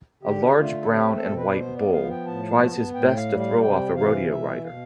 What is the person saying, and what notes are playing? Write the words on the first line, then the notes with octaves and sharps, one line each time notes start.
A large brown and white bull tries his best to throw off a rodeo rider.
D3 G4
A3 F4
A4
C4 G4
A4
B2
B4
D5
B3 C5
D5
F3 F5
G5
A2 A5
B3
A2 G5
F5
G3
F5
C3 G5
E3 F5
B2 E5
B2 F5